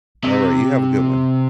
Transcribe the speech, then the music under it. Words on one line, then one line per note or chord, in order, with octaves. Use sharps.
Alright, you have a good one.
C3